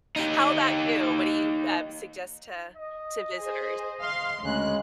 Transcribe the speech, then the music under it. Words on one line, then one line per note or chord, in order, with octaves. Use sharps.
How about you? What do you, um, suggest to to visitors?
D#4 G4
D#5
G#4 C5
F5 C6
D2 C#3 G#3 F#6